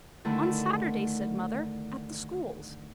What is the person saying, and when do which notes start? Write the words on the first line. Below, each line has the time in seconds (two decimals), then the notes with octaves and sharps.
'On Saturday,' said mother, 'at the schools.
0.25 D3 D#3 A3 E4